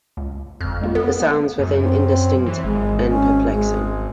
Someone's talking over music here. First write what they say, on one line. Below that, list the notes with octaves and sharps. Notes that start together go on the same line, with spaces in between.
The sounds within indistinct and perplexing.
C#2
G1 F2 F6
G#3 A#3 F4
B3 A4
A3 A#3
F#2
C4
E3
G#1 G#3
C#4
G#3